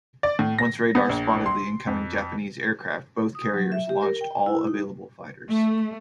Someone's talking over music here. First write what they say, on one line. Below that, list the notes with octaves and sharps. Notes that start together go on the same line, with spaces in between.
Once radar spotted the incoming Japanese aircraft, both carriers launched all available fighters.
D5
A2
A#6
B3
A#1
C6
F2
D#6
F#3
E5
G4
A#4
G5
E4
D#4
A3